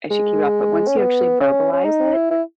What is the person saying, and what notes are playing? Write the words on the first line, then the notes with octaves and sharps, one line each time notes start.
I should keep it up, but once you actually verbalize it,
G#3
C#4
B3
C#4
C#4
D#4
E4
E4